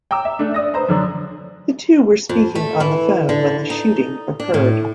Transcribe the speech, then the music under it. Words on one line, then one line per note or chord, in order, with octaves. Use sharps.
The two were speaking on the phone when the shooting occurred.
G5 A#5 D6 E6
E5
A3 D4
D5 D#6 A#6
B4 C5 A#5
F#2 D3 D4
F2
A3
E3
D3
D#4
D4
A2